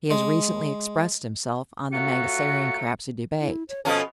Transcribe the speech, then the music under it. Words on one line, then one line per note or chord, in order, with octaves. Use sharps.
He has recently expressed himself on the Mangasarian-Crapsey Debate.
G#3
F#3 A3 F4 F#4 C#7
E4
C#5
B2 F3 C#4 A4